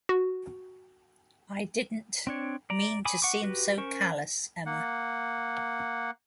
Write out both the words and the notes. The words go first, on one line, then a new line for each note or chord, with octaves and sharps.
I didn't — mean to seem so callous, Emma.
F#4
C4 D4 C#5
D5 A#5
G#5 B5 D6 D#6
F#5 C#6 D6
F#4 G4 B4
C#4 A#4 C5 C#6
A#3 F#5